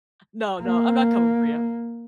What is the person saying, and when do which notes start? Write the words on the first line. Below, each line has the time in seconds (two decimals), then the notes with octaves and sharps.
No, no, I'm not coming for you.
0.63 A#3